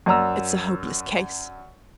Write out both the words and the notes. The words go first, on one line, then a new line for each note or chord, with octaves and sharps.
It's a hopeless case!
F#2 D5 A#5 E6